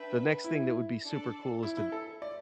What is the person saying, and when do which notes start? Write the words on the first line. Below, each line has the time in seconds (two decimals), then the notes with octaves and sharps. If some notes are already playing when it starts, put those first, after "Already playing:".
the next thing that would be super cool is to
Already playing: D4 B4 E5 G5
0.44 E4
1.04 D4 A4 D5
1.63 E4
1.77 E4
1.92 A4
2.22 D5